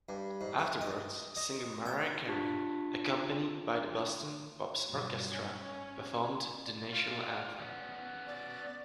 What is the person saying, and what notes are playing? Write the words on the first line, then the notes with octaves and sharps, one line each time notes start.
Afterwards, singer Mariah Carey, accompanied by the Boston Pops Orchestra, performed the national anthem.
G2
G#2
A3
D#5
D#5
G5
D4 F4 G4 A5 C#6 B6
G2 B2 F#3
C#4
D5
F4
B3 C#4
D5